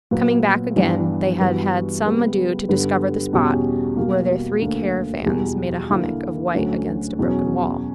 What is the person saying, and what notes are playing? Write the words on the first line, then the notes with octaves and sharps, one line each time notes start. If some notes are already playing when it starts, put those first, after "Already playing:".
Coming back again, they had had some ado to discover the spot where their three caravans made a hummock of white against a broken wall.
A#2 F#3 B3
G2 E3 B3 D4 G4
G2 E3 B3 F#4
C#3 G3 B3
G2 D3 G3 B3
E2 B2 G3 C#4 G4
B2 G3 A#3
D2 D3 A#3
E2 B2 G3
D3 A#3 E4
D2 D3 F#3 C#4
E2 B2 F#3 C#4